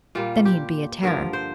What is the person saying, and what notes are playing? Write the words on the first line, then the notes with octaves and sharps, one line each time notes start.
Then he'd be a terror.
A#2 G3 A#3 F4
G4
G2 D3 F3 A#4
C5